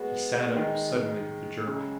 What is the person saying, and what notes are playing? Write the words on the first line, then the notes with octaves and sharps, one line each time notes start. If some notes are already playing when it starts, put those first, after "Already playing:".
He sat up suddenly with a jerk.
Already playing: G#3 B3 F#4
D#3 G#3 D#4
F#2 C#3 G#3